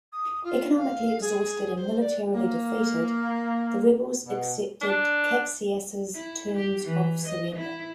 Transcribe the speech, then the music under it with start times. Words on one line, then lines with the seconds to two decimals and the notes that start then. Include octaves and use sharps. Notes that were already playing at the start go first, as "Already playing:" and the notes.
Economically exhausted and militarily defeated, the rebels accepted Caxias' terms of surrender.
0.12 D#6
0.43 F4
0.76 F5
1.21 G#4
1.76 C5
2.00 D5
2.35 A#3
4.26 B2
4.81 D4
6.14 E4
6.56 G4
6.84 E3
7.26 D#5
7.56 E4